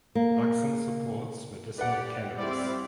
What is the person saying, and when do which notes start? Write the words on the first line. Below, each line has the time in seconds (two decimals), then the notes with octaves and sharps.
Luxon supports medicinal cannabis.
0.15 A#3
1.78 G4 B4 D5 F#5
2.37 G3 C4 E4 F4 D5